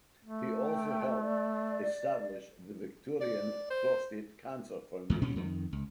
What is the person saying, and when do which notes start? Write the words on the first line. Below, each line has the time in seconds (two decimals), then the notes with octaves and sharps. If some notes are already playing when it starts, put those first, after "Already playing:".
He also helped establish the Victorian Prostate Cancer Foundation.
0.25 A3
0.61 G5
1.18 D5
3.21 D5
3.70 C5
5.10 E2 G#2 D#3
5.22 D2 A#2 G3 C#4
5.36 F2 D#3
5.73 C#2